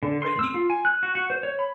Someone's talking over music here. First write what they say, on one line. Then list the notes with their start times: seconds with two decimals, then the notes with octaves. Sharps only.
But he
0.03 D3
0.22 C6
0.39 E6
0.54 F4
0.70 G#5
0.85 F#6
1.03 F#4
1.15 F#4
1.30 C5
1.43 C#5
1.59 B5